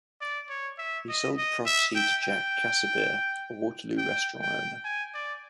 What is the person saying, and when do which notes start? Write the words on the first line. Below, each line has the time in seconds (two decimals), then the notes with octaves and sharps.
He sold the property to Jack Casebeer, a Waterloo restaurant owner.
0.21 D5
0.49 C#5
0.78 E5
1.08 D#5
1.37 D#5
1.66 E5
1.95 G5
2.24 G5
3.98 G5
4.42 G5
4.84 G#5
5.14 D5